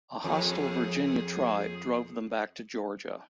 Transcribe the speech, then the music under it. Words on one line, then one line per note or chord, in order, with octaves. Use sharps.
A hostile Virginia tribe drove them back to Georgia.
F2 G#4